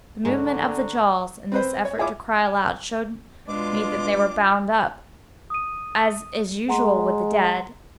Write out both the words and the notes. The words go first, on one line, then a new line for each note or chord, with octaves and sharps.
The movement of the jaws, in this effort to cry aloud, showed me that they were bound up, as is usual with the dead.
G#2 D3 G#3 F#4 A#5
C4 B4 C5
C#5
E4 F4 G#4 C#5 E5 D6
B2 G#3 D4 F4 D6
D#6 D#7
G#3 F#5 A#5 C6